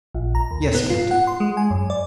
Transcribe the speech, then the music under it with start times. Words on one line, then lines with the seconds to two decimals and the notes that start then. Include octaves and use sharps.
"Yes, captain."
0.15 A#1
0.35 A#5
0.51 D#2
0.74 B3
0.90 F4
1.11 F#5
1.27 C6
1.40 G#3
1.57 G#5
1.70 F#2
1.90 D5